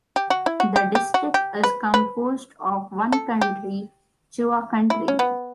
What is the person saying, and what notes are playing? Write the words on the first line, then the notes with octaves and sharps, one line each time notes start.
The district is composed of one county: Chua County.
G4
F#4
E4
F#4
G4
G4
F#4
G4
B4
B4
A4
G4
E4
C#4
B3